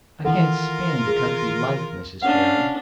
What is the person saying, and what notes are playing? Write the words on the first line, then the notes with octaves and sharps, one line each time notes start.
I can't stand a country life, Mrs Carey.
D#3 E3 F4 A4 A#4 F#5
G#4
C#4 D4 F5 F#5